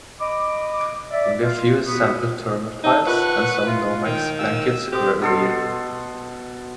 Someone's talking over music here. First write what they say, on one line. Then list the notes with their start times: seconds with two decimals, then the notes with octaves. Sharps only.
Only a few sample thermal tiles and some Nomex blankets were real.
0.20 D#5 B5 D6
1.11 D5 E5
1.41 F4
1.86 B3 F#4 B4 C#6 D#6
2.84 D#4 C#5 A5
3.07 F4 A#4 B4 E5 F#5 C#6
3.67 F4 E5
4.06 D#3 G5
4.39 F5 G5 E6
4.92 C4 G4 A4 C5
5.22 B2 A4 C6